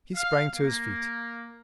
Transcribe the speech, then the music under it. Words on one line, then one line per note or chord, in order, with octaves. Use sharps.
He sprang to his feet.
F5
A#3